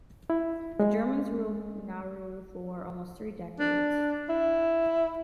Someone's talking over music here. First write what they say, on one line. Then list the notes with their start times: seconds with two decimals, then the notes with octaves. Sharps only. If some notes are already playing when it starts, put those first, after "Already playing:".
The Germans ruled Nauru for almost three decades.
0.30 E4
0.80 G#3
3.59 D4
4.29 E4